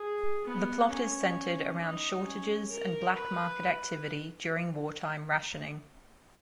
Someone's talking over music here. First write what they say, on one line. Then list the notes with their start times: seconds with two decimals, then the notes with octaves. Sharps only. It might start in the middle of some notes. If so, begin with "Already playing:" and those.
The plot is centred around shortages and black market activity during wartime rationing.
Already playing: G#4
0.45 B3
0.90 C#4
1.80 D#4
2.25 C#4
2.71 A#4
3.16 B4